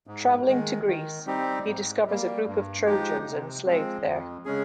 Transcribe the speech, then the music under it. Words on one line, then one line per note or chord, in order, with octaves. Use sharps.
Travelling to Greece, he discovers a group of Trojans enslaved there.
G#2
D#3 G#3
D#3
G3 C4 D#4 G4
G#2
G3 A#3
G2
F3 G#3 D#4 G4
C3
F3 G#3 C4
F2
C#3 G#3 C#4 G#4